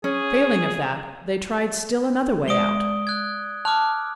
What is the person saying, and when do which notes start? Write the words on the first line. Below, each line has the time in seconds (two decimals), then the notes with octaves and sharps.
Failing of that they tried still another way out.
0.04 C#4 G#4
2.48 G#3 D5 D#6 D7 G7
3.07 F#6 G#6
3.65 A5 D6 F6 F#6